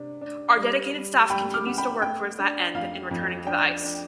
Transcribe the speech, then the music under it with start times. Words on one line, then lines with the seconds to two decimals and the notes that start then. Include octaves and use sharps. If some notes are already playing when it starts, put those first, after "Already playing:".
Our dedicated staff continues to work toward that end and returning to the ice.
Already playing: C3 D4
0.21 D4
0.58 G3
0.94 G3
1.30 G3 G5 B5
1.54 D6 F6
1.66 B3
1.78 G5 B5
2.02 A3 G5
2.38 D4
2.74 F2 F5
3.11 F2
3.47 D4 G5
3.83 D4